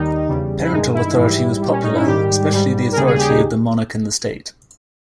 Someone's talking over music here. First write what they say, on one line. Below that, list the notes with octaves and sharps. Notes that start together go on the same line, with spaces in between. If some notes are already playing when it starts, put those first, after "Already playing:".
Parental authority was popular, especially the authority of the monarch and the state.
Already playing: D#2 D#3 G3 D#4
E2 C#3 G3
E4
G2 D#3 G#3 D#4
E4
G#2 E3 G3
A#2 G3
C#4
D#4
E4
G#2 D#3 G3 G4
G#2 G3
A#4
D#2 C#3 G3 G#4
G#4
G4
D#4